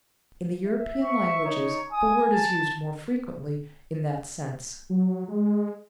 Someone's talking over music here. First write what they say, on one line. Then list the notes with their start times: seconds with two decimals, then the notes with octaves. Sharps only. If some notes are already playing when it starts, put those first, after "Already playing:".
In the European languages the word is used more frequently in that sense.
0.67 E5
1.03 C#6
1.45 D#4 C#5
1.92 G#5 D#6
2.33 A5
4.90 F#3
5.28 G#3